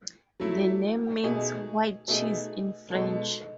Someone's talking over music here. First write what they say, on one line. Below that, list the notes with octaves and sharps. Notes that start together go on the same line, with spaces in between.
The name means "white cheese" in French.
F#3 A3 E4
B2 A3 D#4 G#4
B2 A3 D#4 G#4
B2 G#3 D#4 A4